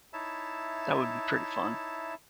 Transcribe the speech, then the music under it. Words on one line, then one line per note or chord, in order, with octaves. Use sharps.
That would be pretty fun.
D#4 E4 C#5 E5 A5